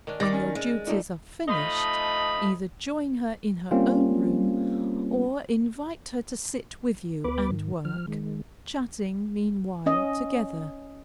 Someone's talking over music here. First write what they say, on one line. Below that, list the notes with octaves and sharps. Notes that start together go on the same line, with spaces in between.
When your duties are finished, either join her in her own room, or invite her to sit with you, and work, chatting, meanwhile, together.
D#3 C#4 D4
D#3 G3 D6 A6 A#6
C#4
G#3
A#2 G3 A3 D#4
F3 A3 D#4 D#5 B5
G3 A#3 C4 C#4 F4
D2 B3 B4 B5 D6
G#2 D#3
F3 F6
D#3 G#3
C#4 D#5